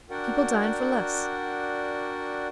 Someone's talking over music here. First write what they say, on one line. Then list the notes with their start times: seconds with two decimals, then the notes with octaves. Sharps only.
People dine for less.
0.10 D4 F#4 A#4 D5 F#5 G5